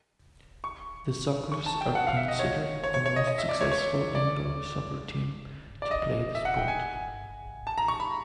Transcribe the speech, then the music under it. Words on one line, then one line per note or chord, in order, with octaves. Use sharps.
The Sockers are considered the most successful indoor soccer team to play the sport.
C#6
C#6
A5
G5
F#5
F5
E5
D#5
C#5
C#5
C#5
C#5
D#5
D#5
E5
D5
C#5
C#5
D5
D5
D#5
E5
F#5
G5
G#5
A5
A#5
C#6
B5